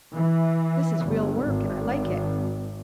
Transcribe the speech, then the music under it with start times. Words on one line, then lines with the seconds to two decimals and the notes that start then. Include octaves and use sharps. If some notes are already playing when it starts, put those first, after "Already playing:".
This is real work, and I like it.
0.12 E3
1.05 G1
1.42 G#1